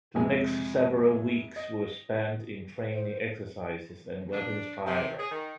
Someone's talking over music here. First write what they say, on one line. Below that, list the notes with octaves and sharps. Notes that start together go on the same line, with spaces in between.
The next several weeks were spent in training exercises and weapons firing.
F2 C3 G#3 G#5
D#5
C5
D4
C3
G#4
D#3